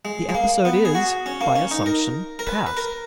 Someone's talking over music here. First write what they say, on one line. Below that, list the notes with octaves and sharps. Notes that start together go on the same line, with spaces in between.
The episode is, by assumption, past.
G#3
G#3
A#3
B3
G#4
F#4
C#4
A#3
C#4
D#4
A#4
A#4
B4
B4
A#4